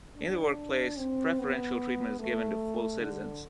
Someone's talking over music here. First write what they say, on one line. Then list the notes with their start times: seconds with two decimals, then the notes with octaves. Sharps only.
In the workplace, preferential treatment is given to full citizens.
0.17 D4
0.98 C4
1.39 B3
2.19 A3
3.00 D3